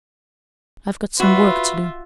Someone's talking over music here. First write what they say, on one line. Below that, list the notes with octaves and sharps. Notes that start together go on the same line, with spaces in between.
I've got some work to do.
F4 F#4 B4 E5